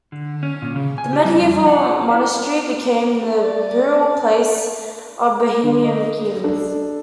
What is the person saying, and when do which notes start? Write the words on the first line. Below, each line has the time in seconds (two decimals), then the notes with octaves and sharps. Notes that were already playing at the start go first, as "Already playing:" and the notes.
The medieval monastery became the burial place of Bohemian kings.
0.12 D3
0.43 C#4
0.62 A#2
0.76 C#3
0.98 G#5
1.13 G4
1.25 G3
1.40 F2
1.67 F#5
2.11 E4
3.38 D5
5.63 D3
5.83 D#5
6.44 D4 A4